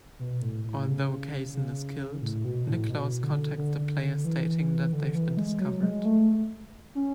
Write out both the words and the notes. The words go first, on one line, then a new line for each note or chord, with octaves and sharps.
Although Kaysen is killed, Nicklaus contacts the player stating that they've been discovered.
B2
A2
A2
C#3
C#3
A2
B2
A2
B2
D3
D3
E3
D3
E3
G#3
F#3
G#3
A3
C#4